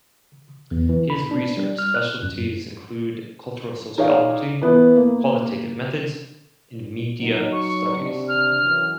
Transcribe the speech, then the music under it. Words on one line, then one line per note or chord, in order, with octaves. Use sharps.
His research specialties include cultural sociology, qualitative methods and media studies.
E2
E3
B5
D4
G3
F6
F#6
F#2
D#4 G#4 C#5 D5 F5
E3 B3
A#3
F#3 D#4
C#6
C3 D4
F6
F#2 E3